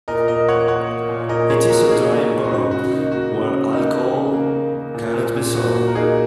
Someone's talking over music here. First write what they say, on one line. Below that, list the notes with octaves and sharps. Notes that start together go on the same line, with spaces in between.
It is a dry borough, where alcohol cannot be sold.
A#2 A#4 D#5
A#3 A#4 D#5
A#3 C#5 F#5
A#3 C#5 F#5
A#3
A#2
A#2 A#4 D#5
A#3 G#4 C#5
A#2 F#4 A#4
A#3 D#4 G#4
A#2
A#3
F#4
C#3 D#4
C#3 F#4
F#4
A#3 D#4
A#3 F#4
C#3
C#3
A#3 D#4
A#3
C#3
A#3
A#3
A#3
A#2
A#2
A#2
A#3 F#4
A#3 F#4
A#4
A#3 D#4 G#4